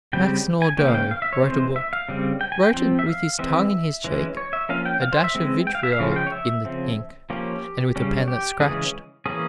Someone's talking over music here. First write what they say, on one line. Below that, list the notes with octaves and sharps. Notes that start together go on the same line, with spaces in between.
Max Nordau wrote a book--wrote it with his tongue in his cheek, a dash of vitriol in the ink, and with a pen that scratched.
C#3 G3 C4 G5
G#5
C#3 E3 A#3 C#4 G5
F5
G5
F5
E5
C#5
E3 G#3 C4 C5
E5
F5
C#3 G3 C4
G5
G#5
G5
F3 C4
E5
F5
E3 G#3 C4 E5
E3 G#3 C#4
C#5
E5
F3 A#3 C#4 F5
G5
F5
C5
E5
E3 G#3 C4
G5
F5
E5
F5
C#3 F3 G#3 C#4
F5
G5
C#5
E5
C#3 F3 C4
F3 A#3 C#4 G4
C#3 G3 C#4
G4
C#3 E3 G#3 C#4 G#4
E3 A#3 C#4 G#4